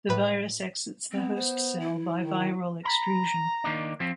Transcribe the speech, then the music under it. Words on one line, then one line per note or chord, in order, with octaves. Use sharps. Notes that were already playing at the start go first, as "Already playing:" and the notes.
The virus exits the host cell by viral extrusion.
A2 B4
B3 C4
C5
E4
D#3
A#5 B5
D#3 A#3 D4
F3 C4